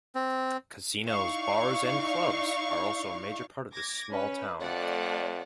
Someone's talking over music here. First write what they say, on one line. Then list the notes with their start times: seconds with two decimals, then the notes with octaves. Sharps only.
Casinos, bars, and clubs are also a major part of this small town.
0.15 C4
1.04 D#4 E4 D5 F5 C#6
3.72 D6 G#6 A#6
4.11 C#4 B4
4.61 F2 A3 D5 F#5